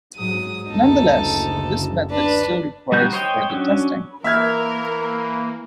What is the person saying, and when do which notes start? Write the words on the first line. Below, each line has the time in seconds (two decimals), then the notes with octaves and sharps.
Nonetheless, this method still requires further testing.
0.16 G#2 F#3 D#6
0.69 F#1 D2 D#4 A4
2.11 D4 B4
2.92 G3 D#4 F#4 G6
3.13 C5 C#5 D#5 G5
3.50 F#3 C#4 D4
4.24 E3 A#3 A#4 E5 F6 G#6